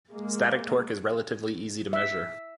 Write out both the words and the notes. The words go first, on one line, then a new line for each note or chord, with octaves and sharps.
Static torque is relatively easy to measure.
G#3 A#3
E5